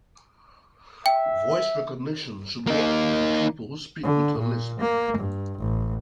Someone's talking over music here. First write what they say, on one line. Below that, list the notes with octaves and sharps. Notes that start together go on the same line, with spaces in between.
Voice recognition should work for people who speak with a lisp.
E5 G5
A#3 D#4
D3
A#2
A#3
G2
A1